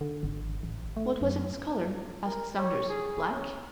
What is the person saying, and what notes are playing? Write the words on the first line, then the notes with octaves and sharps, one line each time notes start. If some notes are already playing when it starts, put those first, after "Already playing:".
"What was its color?" asked Saunders; "black?"
D3
G#1
A1
A3
F#2
A#4
C#5
G#4
C#4